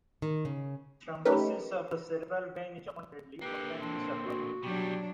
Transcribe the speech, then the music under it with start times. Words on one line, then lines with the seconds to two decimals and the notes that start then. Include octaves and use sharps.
Thrombosis of the cerebral vein is often deadly but can be survived.
0.22 D#3
0.45 C#3
1.25 A3 C#4 D#4 G4 A#4 B4
3.41 D3 A#3 G4 B4
3.79 C4 D4
4.26 F#4
4.63 B2 F#3 G3 D4 G4